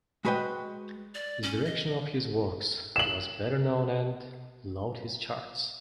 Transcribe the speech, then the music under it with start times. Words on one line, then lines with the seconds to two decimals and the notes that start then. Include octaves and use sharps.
His direction of his works was better known and loved his charts.
0.25 G#3 F#4 B4 D#5 G5
1.15 D5
1.43 C#4
1.65 D#5
2.96 E7 F#7